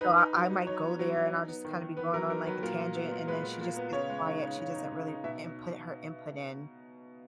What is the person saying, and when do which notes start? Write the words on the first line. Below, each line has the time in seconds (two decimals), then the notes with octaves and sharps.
So, I I might go there and I'll just kinda be going on like a tangent and then she just gets quiet, she doesn't really input her input in.
0.01 D#4 B4
0.17 D#4
0.34 F#3
0.50 D#4
0.67 D#4 C#5
0.83 B3
0.99 F#3
1.16 F#3
1.32 D#4
1.48 B3
1.65 D#3
1.81 D#3
1.97 B3 B4
2.14 F#3 A#4
2.29 D#4 A#4
2.46 F#3 B4
2.62 A#2 A#4
2.79 A#2
2.95 B3
3.12 A#2
3.28 G#3 B4
3.44 B3
3.61 A#2
3.77 B3
3.93 C#3 C#5
4.09 G#3
4.26 D#4
4.42 C#3
4.58 C#3
4.74 D#4
4.91 C#3
5.08 D#4
5.24 B2 E5